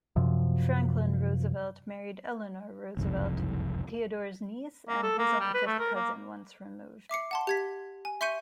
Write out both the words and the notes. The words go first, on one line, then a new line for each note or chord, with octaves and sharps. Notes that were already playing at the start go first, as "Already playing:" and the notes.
Franklin Roosevelt married Eleanor Roosevelt, Theodore's niece and his own fifth cousin once removed.
F#2 C3 F3
F#1 C2 F2 G#2
A#3
A4
A#3
G3
B4
A3
A#4
A#3
E5 D6 C7 C#7
F#5 A5 C6
G4 G#6 B6
G#5
E5 C6 C#6 G6 C#7 D#7